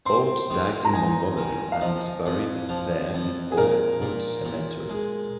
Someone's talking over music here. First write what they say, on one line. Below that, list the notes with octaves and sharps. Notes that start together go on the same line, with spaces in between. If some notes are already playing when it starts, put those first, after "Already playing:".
Oates died in Montgomery, and is buried there in Oakwood Cemetery.
C4 C6
D#3
A#5
D#4 G#5
D#3
F5
F3 D#5
F2
F3
F2
G#4
A#2 A#4
A#2
A#2
G#3